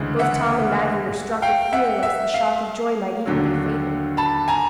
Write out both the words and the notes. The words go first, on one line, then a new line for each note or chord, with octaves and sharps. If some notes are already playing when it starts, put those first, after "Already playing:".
Both Tom and Maggie were struck with fear lest the shock of joy might even be fatal.
Already playing: D2 C#3 E3 G#3
E5 F#5
F5 G5
E5 F#5
E5
F5
D#2 D3 F#3
A5 B5
G#5 A#5